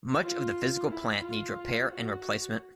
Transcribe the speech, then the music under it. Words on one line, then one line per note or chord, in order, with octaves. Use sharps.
Much of the physical plant needs repair and replacement.
F4
E4
F4
F#4